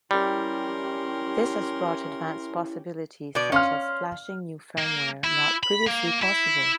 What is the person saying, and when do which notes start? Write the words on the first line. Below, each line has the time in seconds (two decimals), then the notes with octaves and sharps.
This has brought advanced possibilities such as flashing new firmware, not previously possible.
0.11 G3 C#4 E4 G4 A#4 C6
3.35 B2 D5
3.52 C#4 F5 C6 F6
4.78 A#3
5.24 E4
5.63 B5
5.87 A#3
6.22 E4